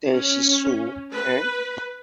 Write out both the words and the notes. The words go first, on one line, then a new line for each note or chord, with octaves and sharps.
Tenshi Sou, en.
C#4
B4